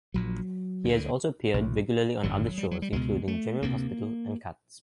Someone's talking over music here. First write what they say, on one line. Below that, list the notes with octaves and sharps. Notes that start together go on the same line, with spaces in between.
He has also appeared regularly on other shows, including "General Hospital" and "Cuts".
A#1 A#2 F#3
D2 D3
B1 A#2
G#1 F#2 D3 F#3
G3
F#3
G3
C#2 B2 G#3
A3
D2 C3 A#3